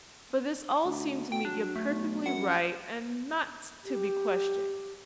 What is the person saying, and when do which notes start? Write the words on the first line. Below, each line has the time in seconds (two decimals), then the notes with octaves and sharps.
But this all seemed to Mitya perfectly right and not to be questioned.
0.85 D2
1.32 B2 G5
1.45 F#3 D4
1.76 A3
1.89 B1
2.26 F#2 F#5
3.84 G4